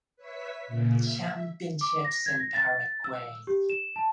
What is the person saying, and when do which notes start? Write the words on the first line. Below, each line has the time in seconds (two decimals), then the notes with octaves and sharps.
Championships in Paraguay.
0.16 B4 C#5 E5 B6
0.67 A#2 C#3 A#3
1.01 E5
1.81 D6
2.05 A#6
2.26 G#6
2.40 A#6
2.54 A6
3.04 E6
3.47 G4
3.69 E7
3.96 A5